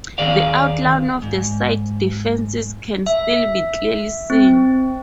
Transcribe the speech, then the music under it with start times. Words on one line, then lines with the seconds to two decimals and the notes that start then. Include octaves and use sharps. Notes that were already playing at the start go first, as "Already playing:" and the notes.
The outline of the site's defences can still be clearly seen.
0.18 D#2 D#3 G#4 D5 F5
1.22 G#2
3.06 E5
4.30 C4